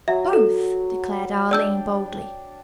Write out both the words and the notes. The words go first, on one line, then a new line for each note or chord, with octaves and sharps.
"Both," declared Arline boldly.
F#3 E5
A4
D4 D5 G5 E6 G6